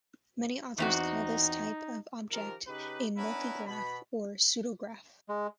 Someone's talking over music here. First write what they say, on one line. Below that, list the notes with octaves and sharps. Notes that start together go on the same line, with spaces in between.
Many authors call this type of object a multigraph or pseudograph.
E2 C4 D#4 F#4
D#3 F3 G4 A#4
C#3 D#4 G4 B4
B3 C#4 D4 E4 A#4 B4
B2 B5
G#3